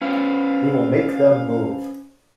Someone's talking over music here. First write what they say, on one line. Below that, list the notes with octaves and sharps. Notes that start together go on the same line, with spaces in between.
We will make them move.
D2 C#4 B4 C5 F5